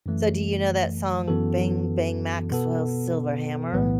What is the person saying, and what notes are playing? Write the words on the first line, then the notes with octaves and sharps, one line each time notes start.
So do you know that song, "bang, bang, Maxwell's silver hammer"?
F#2 E3 A3
F#2 E3 B3 F#4 A4
B2 B3 A4
B1 A2 E3 B3